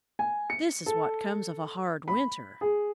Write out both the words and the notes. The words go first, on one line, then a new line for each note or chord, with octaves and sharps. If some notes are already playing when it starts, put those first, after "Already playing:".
"This is what comes of a hard winter."
G#5
C#7
A4
B5
G#4